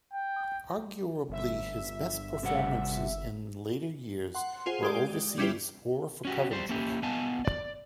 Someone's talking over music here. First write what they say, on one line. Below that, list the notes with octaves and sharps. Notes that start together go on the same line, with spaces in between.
Arguably his best performances in later years were overseas or for Coventry.
G5
G1 E5
C3 G3 F#5
F#5 C6
F4 G#4 C5 C7 D#7
G#3 G4 D5
G3 C#4 E4 F4 G4 B4
C#4 F#4 G4
G3 C5
A#3 C#4 E4 G4
B3 D#5 F5 G#5 A5
D5